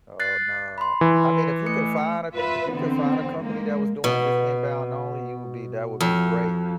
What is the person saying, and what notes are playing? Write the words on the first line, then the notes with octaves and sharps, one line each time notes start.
Oh, no, I mean if you can find a if you could find a company that was doing just inbound only, you would be that would be great,
F#6 A6 C7
B5 C6
E3
A3 C#7
F4 B4 E5
D3 E3 B3 C4
G#3 A#3
B2
F2